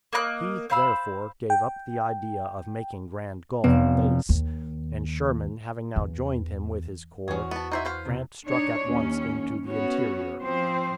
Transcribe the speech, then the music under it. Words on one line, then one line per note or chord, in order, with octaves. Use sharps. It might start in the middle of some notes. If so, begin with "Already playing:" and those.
He, therefore, gave up the idea of making Grand Gulf a base, and Sherman having now joined him with his corps, Grant struck at once into the interior.
A#3 D#5 A#5 F#6
C5 F5 B5 E6
G5
F1 B3
D#2
E2
E2 C#4 F#4 G#4 C5
B3 A5
D#4 C5 E5 F#6 G#6
B4 C5 F5
C3
D4 D#4 C#5
D#2 C#4
B3 C#4 F#4 C#5
F3 C4 C5